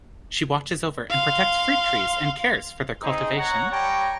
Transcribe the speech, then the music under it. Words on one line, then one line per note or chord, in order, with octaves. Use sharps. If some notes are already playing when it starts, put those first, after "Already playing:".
She watches over and protects fruit trees and cares for their cultivation.
F5 C6
C4 D#4 G#4
C#5 F#5 A#5
G3 C#5 G5 A5 A#5 C#6